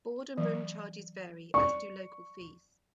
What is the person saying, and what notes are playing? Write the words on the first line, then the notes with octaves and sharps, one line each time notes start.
Board and room charges vary, as do local fees.
E3 F#3
D5 C#6